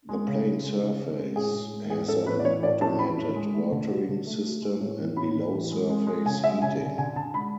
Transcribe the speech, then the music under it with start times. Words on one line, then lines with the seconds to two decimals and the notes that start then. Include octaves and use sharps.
The playing surface has an automated watering system and below-surface heating.
0.09 G#3
0.27 C#3
0.45 C#3
0.64 G#3
0.82 C#3
0.99 G#3
1.18 G#3
1.36 A2 G#4
1.54 A2
1.73 G#3
1.90 A2 G#4
2.08 A2 A4
2.26 A2 B4
2.39 D5
2.45 E3 C#5
2.63 A2 D5
2.81 A2 A5
2.99 E3 B5
3.17 A2
3.35 G#3
3.54 A3
3.72 D3
3.90 F#3
4.08 D3
4.27 A3
4.44 F#3
4.62 G#3
4.80 A2
4.98 E3
5.17 A2 B5
5.35 A2
5.53 E3
5.71 G#3
5.90 G#3
6.07 G#3
6.25 C#3 G#5
6.44 G#3 E5
6.61 C#3 G#5
6.80 D3
6.98 D3 G#5
7.16 D3 A5
7.34 G#3 B5